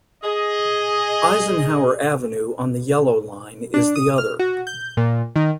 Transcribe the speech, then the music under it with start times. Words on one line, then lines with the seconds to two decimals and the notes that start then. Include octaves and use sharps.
Eisenhower Avenue on the Yellow Line is the other.
0.24 G#4 D#5
3.74 D4
3.96 D#6
4.18 F6
4.39 F#4
4.67 G6
4.97 A#2
5.36 D#3